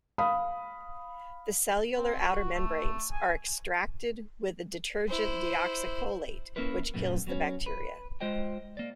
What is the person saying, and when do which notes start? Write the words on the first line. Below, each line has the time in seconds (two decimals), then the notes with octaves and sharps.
The cellular outer membranes are extracted with the detergent deoxycholate, which kills the bacteria.
0.18 F5 B5 D#6
1.97 C4
2.21 F#4
2.54 A3
3.12 G#5
5.08 E4 C5
6.56 A#3 C#4 E4 A#4 B4
6.94 F#2 A#2 A3 B3
7.27 F#3 B3 C#4
7.66 B4
8.21 G#3 F4 C5 D#5 G5
8.77 A#3 D5